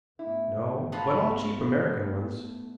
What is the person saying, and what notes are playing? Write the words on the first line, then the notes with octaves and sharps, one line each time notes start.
"No, but all cheap American ones."
G#2 A3 B3 E4
F4 F#4 B4 C#5 A5